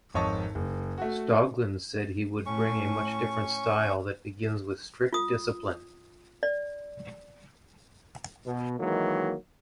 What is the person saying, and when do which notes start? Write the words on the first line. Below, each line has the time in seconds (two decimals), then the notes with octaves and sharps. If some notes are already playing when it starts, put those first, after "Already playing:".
Stoglin said he would bring a much different style that begins with strict discipline.
0.14 G#1 F2 C#5 D#5 A5 C#6
0.55 F#1
0.98 A3 F#4
2.46 A2 C#4 C#6
5.13 F4 D#6
6.43 D5
8.47 B2
8.79 D#3 E3 F#3 G#3 A#3